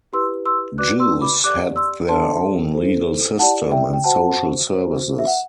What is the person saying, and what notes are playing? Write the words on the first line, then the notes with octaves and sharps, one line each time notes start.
Jews had their own legal system and social services.
E4 G4 B4 C6 E6
C6 E6
F#4 B4 D5 D6 F#6
C6 E6
B5 D6
G4 D5 D6 F#6
C6 E6
D4 A4 C5 A5 C6
E4 A4 C5
E4 G4 D5 F#5 A5
E5 G5
G5
F#4 C5 F#5 A5
F#4 C5
E5
F#5